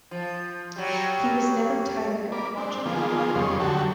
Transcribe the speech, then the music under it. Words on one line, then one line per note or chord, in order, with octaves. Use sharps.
He was never tired of watching.
F3
F#3 G3
A#3 B5 D6
C4 D4
D#3 F3 A#3 B3 F4 G#4
F2 C#3 G3 C#5 D#5 C6
D3 F#3 F#4 G4 A4